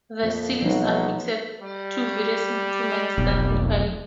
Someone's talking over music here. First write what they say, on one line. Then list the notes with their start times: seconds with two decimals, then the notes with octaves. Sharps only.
The seal is affixed to various instruments that require it.
0.23 F2 A#3
0.62 B1 F3 G3 D#4
1.62 G3
3.18 F1 B1